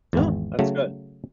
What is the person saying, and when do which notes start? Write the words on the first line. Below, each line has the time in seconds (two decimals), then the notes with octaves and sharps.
Oh, that's good,
0.13 G#1 E2
0.59 C#3 F#3 A3